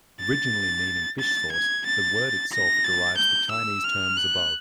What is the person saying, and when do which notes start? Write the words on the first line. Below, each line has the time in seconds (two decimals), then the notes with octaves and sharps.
Originally meaning "fish sauce", the word itself derives the Chinese terms above.
0.20 A6
1.19 A6
1.52 G#6
1.86 A6
2.52 A#6
2.84 A6
3.18 G6
3.51 E6
3.84 F6
4.17 F#6